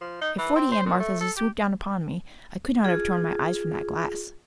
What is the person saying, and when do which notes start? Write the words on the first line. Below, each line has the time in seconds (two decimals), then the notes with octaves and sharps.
If forty Aunt Marthas had swooped down upon me, I could not have torn my eyes from that glass.
0.01 F3
0.21 D#4
0.39 E3
0.56 C4
0.72 C5
0.86 A#2
1.00 A3
1.20 A4
1.37 G4
2.83 F4 G#4